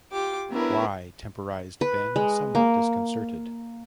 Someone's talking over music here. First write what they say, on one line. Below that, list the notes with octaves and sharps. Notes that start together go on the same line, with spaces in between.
"Why — " temporized Ben, somewhat disconcerted.
F4 G4 D6
B3 C#4 D4 E4 A#4 B4
B4
G#3
A#3